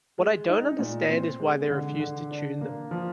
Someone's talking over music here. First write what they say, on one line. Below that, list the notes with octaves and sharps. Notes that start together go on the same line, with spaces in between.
What I don't understand is why they refuse to tune them.
G#3
D#4
A#2
C4
G#3
D3
D3
D4
A#3
F3